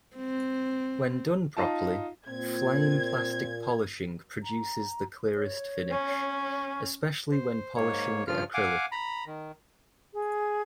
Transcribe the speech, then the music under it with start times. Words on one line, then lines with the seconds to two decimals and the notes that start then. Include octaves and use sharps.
When done properly, flame plastic polishing produces the clearest finish, especially when polishing acrylic.
0.17 C4
1.57 D#4 F4 A5
2.28 A#2 C4 G#6
4.43 A#5
5.36 C#5
5.90 C#4
7.31 C5
7.76 G#2 A#3 C#5
8.27 G2 C#3 F3 F4 F6
8.54 F5 F#5 G#5 D6
8.92 A#5 B5
9.26 D#3
10.13 G#4